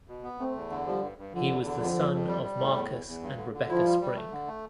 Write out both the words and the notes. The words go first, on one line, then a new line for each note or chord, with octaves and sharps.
He was the son of Marcus and Rebecca Spring.
B2
B3
A3 C4
E2
D3
F3 G3
G2
G2
D3 F3
E2
D3
F2 F3
F2
F2
G3
G3
A2
E2
E2
E2
G2
D3
D3
F3 E4
G3
G3
A3
D3
A3